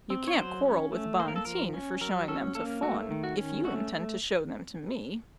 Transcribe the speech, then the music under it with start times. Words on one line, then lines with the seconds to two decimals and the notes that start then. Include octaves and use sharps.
"You can't quarrel with Bonteen for showing them to Fawn, if you intend to show them to me."
0.10 C4
0.28 C#5
0.38 F#3 C5
0.66 C#4
0.92 A3
1.19 A#3 C5
1.28 A#4
1.36 A4
1.45 F3 A#4
1.74 C#4
2.01 F#3 A#4
2.28 C#4 A4
2.55 A#3 A4
2.82 A3 F#4
3.11 D#3
3.24 F#4
3.38 C#4
3.64 A3 F#4